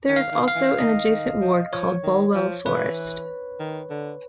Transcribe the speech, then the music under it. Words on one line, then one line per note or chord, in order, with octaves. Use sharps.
There is also an adjacent ward called Bulwell Forest.
D#3
F5
D#3
F5
E3
D#3 D#5
D#3
F3
F3 C#5
D#3
F3
E3 B4
D#3
D3